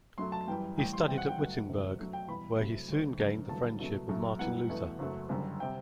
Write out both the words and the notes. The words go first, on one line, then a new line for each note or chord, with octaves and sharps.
He studied at Wittenberg, where he soon gained the friendship of Martin Luther.
F#2 F#3 A3 C6
A5
F#2 E3 G3 G5
A1 A2 G3 G5
C6
E2 C3 G3 G5
F#5
G5
G1 G2 F#3 A3 F#5
E1 D2 C3 F#3 A3
F#2 F#3 A3
G5
E2 B2 G3 B5
C2 C3 F#3 A3
D2 D3 G3
F#1 F#2 D3
A1 G2 D3 F#3 A5
C2 B2 F#3 A3
F#2 F#3 A3
F#2 E3 G3 F#5
E2 B2 A3
F#1 F#2 F#3 A3
F#1 F#2 D3 G3
C3 G3 G5